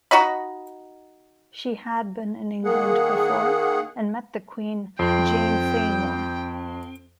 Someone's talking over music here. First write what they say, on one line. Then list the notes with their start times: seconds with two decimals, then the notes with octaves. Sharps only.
She had been in England before and met the Queen, Jane Seymour.
0.11 D#4 F#4 D#5 B5
2.64 D#3 A#3 G#4 F#5
4.99 F2 C4 G5